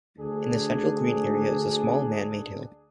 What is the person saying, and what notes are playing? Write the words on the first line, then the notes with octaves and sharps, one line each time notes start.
In the central green area is a small man-made hill.
D2 D4 G#4